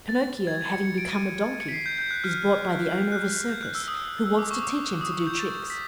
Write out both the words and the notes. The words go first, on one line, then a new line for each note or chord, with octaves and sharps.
Pinocchio, having become a Donkey, is bought by the owner of a Circus, who wants to teach him to do tricks.
A6
G#6
C#7
C#7
D7
D#7
C#7
B6
C7
G6
G6
F#6
F6
F#6
G6
F#6
E6
D#6
E6
D6
C#6
D6
D#6
D6
G6
A6
B6